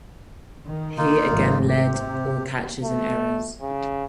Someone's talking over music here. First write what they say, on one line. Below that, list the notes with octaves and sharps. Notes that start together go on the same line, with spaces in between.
He again led all catchers in errors.
D#3
A#3 D#4 F4
G#1 F3 A3
C3 G4
A3
C#3